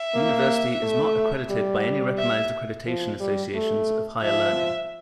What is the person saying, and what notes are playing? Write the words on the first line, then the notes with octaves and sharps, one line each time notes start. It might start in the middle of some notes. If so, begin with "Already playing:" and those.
The university is not accredited by any recognized accreditation associations of higher learning.
Already playing: E5
A#3
A3
G3
E5
F3
G3
A3
F3 E5